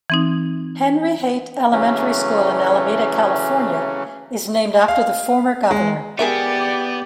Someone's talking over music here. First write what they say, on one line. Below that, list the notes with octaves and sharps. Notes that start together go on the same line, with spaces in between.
Henry Haight Elementary School in Alameda, California is named after the former governor.
E3 C4 D#4
C#3 E3 F#3 A3 C#4
F5
G#3
B3 G4 G#4 A#4 D5 E5